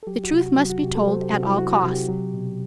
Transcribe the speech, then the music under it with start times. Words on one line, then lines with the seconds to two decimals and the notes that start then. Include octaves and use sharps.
The truth must be told at all costs.
0.03 A4
0.07 F#3 G4
0.24 F#4
0.32 C3
0.40 F#4
0.58 F#3
0.70 F#4
0.83 C3 G4
0.95 A4
1.07 F#3 C5
1.20 G4
1.32 C3 F#4
1.46 E4
1.58 F#3 F#4
1.75 F#4
1.84 C3
1.92 G4
2.08 F#3
2.34 B2